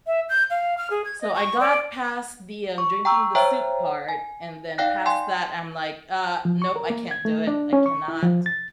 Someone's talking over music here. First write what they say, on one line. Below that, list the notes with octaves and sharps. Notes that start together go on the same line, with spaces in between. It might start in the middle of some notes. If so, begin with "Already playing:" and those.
so, I got past the, um, drinking the soup part, and then past that I'm like, "Uh, nope. I can't do it. I cannot."
E5
G6
F5
F6
G#4
G#6
D#5
C#6
D5
C#6
G5 A#5 C#6 E6
C5 C#5 E5 G5 A#5
G#5
D#4 D5 F5 G5 F#6 A#6
G5 G#5 C6
F3
C#6
A#4
A#3
G#6
A3
D4
C#4
C#6
E4
F3
A6